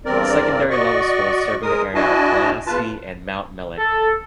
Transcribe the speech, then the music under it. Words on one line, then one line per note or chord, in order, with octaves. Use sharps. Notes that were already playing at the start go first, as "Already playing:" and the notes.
The secondary level schools serving the area are Clonaslee and Mountmellick.
E2 G2 C4 A#4 D5
F#4 D5 D#5 C#6
G#3 A#4 D#6
D4 E4 F#4 D#5 G#5 A5
E2 F4 B4 A5
A4